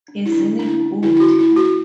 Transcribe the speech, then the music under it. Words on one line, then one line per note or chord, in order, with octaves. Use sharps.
Isn't it good!
D4
E4
D3 D4
D3 D4
E4
C#4
D3 E4
E4
F#4
C#4
E4
A3
F#4